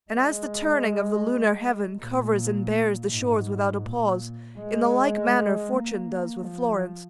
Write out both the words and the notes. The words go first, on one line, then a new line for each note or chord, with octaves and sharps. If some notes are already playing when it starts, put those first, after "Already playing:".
And as the turning of the lunar heaven Covers and bares the shores without a pause, In the like manner fortune does with Florence.
G#3
A#2
G#2
A#2
G#3
A#3
F3